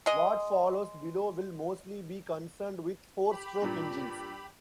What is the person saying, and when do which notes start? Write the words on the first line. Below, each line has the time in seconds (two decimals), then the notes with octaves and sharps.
What follows below will mostly be concerned with four-stroke engines.
0.06 G#3 D#5
3.31 G4 B5
3.62 G2 A#2